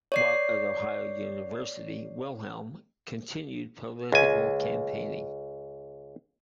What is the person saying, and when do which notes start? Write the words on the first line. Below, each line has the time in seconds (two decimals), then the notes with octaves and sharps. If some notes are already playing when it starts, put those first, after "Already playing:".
While at Ohio University, Wilhelm continued political campaigning.
0.12 C#5 D5 C7
4.12 C#2 G#5